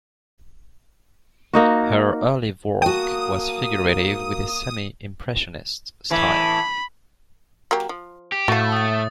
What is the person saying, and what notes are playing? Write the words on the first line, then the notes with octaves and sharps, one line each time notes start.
Her early work was figurative with a semi-impressionist style.
A#3 D#4 F#4
A#3 F#4 G5 A5 D#6
A2 E3 B5
F#3 A#3 G4
F3
G4
A2 A3 F#4 F5 A6
D#6 A6